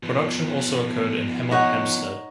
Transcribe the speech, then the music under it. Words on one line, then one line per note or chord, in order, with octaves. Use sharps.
Production also occurred in Hemel Hempstead.
F3 B3
D#4 C#5 F#5